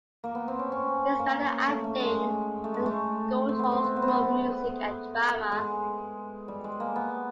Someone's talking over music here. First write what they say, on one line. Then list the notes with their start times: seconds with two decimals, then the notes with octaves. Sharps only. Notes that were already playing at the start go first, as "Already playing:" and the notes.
He studied acting at the Guildhall School of Music and Drama.
0.24 A#3
0.35 B3
0.48 C4
0.59 C#4
0.72 C#4
1.19 A#3
1.68 A3
1.84 A3
2.00 G#3
2.64 A3
2.74 G#3
2.86 A3
3.49 C4
3.59 B3
3.72 C4
3.84 B3
3.96 B3
4.02 C4
4.08 B3
5.52 G#3
6.48 G3
6.64 G#3
6.80 A#3
6.96 B3